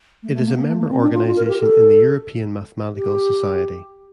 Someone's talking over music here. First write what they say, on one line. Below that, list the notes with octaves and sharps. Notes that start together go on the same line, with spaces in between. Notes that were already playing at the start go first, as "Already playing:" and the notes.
It is a member organization in the European Mathematical Society.
A3
A3
A#3
A#3
A3
A#3
C4
D4
F4
F4
A#4
G4
A4
G4